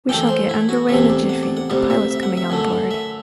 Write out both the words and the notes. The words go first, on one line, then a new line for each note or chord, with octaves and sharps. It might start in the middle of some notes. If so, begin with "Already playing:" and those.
We shall get underway in a jiffy, the pilot's coming on board.
F#2 E3 A3 G5
C5
E4
F#4
E2 C3 E3 A3 E5
D5
F#5
D5
F#5
D2 C3 G3 D5
E5
E5
F#5
E5
F#2 D3 A3
E5